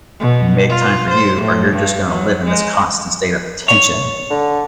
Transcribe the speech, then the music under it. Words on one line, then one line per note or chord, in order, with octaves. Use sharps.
make time for you or you're just gonna live in this constant state of tension,"
B2
F4
C5
A2
G2
F#3
G#3
C#5
D3